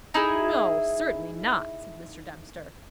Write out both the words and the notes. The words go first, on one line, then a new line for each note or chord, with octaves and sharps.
"No; certainly not," said Mr. Dempster.
D#4 E4 G#4